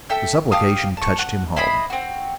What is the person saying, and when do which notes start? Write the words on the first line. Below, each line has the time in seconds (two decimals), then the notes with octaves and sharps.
The supplication touched him home.
0.10 A4 E5 G5 G6
0.52 G4 F5 A5 D#6
0.97 A5 C#6
1.19 F#5
1.56 E4 C5 D#5 B5
1.90 C4 F#4